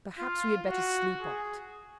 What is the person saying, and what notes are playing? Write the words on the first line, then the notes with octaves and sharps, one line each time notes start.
Perhaps we had better sleep on it.
F4
F#4
G#4